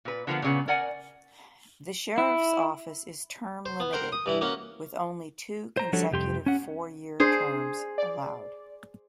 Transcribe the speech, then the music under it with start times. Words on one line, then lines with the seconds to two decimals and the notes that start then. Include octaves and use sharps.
The Sheriff's office is term limited with only two consecutive four year terms allowed.
0.05 A#2 B4
0.27 D3 F3 A#3 B3
0.42 A#2 C#3 B3
0.68 A#4 D5 F#5 G#5
2.18 E4
3.66 C5
3.80 B3
3.93 A#4 C5 F#5 G5
4.12 D#6
4.26 G2 E3 E4
4.41 A#3 C#4 F#4
5.77 C5 A#5
5.93 F3 G3 D4 F#4 A4 C#5
6.11 C2 F2 G4 C6
6.46 C#4 F#5
7.20 D4 G#4 C5
7.98 D5